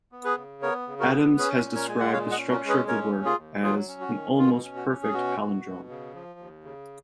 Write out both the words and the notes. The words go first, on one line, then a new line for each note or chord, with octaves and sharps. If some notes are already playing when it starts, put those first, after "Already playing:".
Adams has described the structure of the work as an "almost perfect palindrome".
B3
G#4 B4
C#3
B3 A#4 C#5
C#3
F#4 A#4
B3
C#4 G#4 B4
A#2
A#4 C#5
G#3 G#5
F#5
A#2 C#5 F5
D#5 F#5
C#4
F#4 A#4
G#3
G#4 B4
C#4 A#4 C#5
D#2
F4 G#4
D#2
F#3 F4 G#4
C#4
F#4
D#3
B2 F4
C#4
F#4
C#4
G#4
B2 F#4
B2
B2
C#3
F3
D#2
C#3